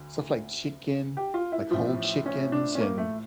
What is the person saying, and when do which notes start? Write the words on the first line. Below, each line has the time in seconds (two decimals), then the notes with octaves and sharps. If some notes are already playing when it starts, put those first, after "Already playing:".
stuff like chicken, like whole chickens and
Already playing: D2 D3
1.17 G4
1.34 F4
1.52 E4
1.71 A1 A2 F3
2.26 C#4
2.52 D4
2.75 C#4
2.81 A#3
2.98 A3